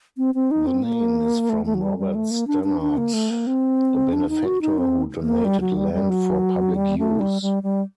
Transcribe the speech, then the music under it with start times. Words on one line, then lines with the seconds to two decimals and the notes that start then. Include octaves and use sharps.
The name is from Robert Stanard, a benefactor who donated land for public use.
0.17 C4
0.35 C4
0.51 D#4
0.67 C4
0.83 A#3
1.49 A3
1.65 A3
1.74 F#3
1.82 G3
1.98 G3
2.15 A3
2.31 A#3
2.47 D4
2.64 D4
2.81 D4
2.97 A#3
3.13 A3
3.30 A#3
3.47 C4
4.13 D4
4.29 D#4
4.45 F#4
4.61 D#4
4.78 C4
5.22 A#3
5.45 G3
5.60 F#3
5.77 G3
5.93 G3
6.10 F#3
6.75 G3
6.98 A3
7.20 G3
7.42 G3
7.63 G3